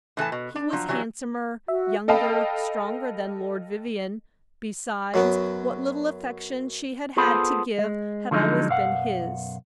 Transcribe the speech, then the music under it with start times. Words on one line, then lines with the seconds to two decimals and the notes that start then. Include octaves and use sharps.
He was handsomer, younger, stronger than Lord Vivianne; besides, what little affection she had had to give had always been his.
0.17 A2 E3 A4 A5
0.32 B2
0.56 D4
0.73 F3 F#3
0.89 E3 F#3 G3
1.68 F#4 E5
2.08 A4 D#5 F5 G5 A5 B5
5.14 F#2 F#3 B3
7.17 B3 F4 G#4 A4 C5 B5
7.79 G#3
8.31 D3 F3 F#3 G#3 D#4
8.68 B1 F#2 F5 F#5